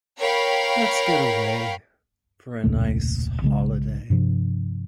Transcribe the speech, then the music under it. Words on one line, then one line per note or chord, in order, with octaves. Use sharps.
Let's get away for a nice holiday.
A#4 C#5 F5 G5 B5
E1 C#2 A#2 A3
B1 C#3 G#3
G2 C3 F3